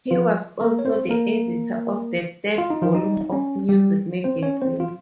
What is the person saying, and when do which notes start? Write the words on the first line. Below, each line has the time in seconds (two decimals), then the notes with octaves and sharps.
He was also the editor of the third volume of Music Magazine.
0.11 F3 F4
0.61 A#3 A#4
0.79 C#5
0.85 C4 C5
1.09 A#3 A#4
2.58 F4
2.70 D#4
2.82 F3 F4
2.95 D#4
3.32 C#4
3.69 G3 G4
4.24 C4 C5
4.43 C#4 C#5
4.62 C4 C5
4.80 F4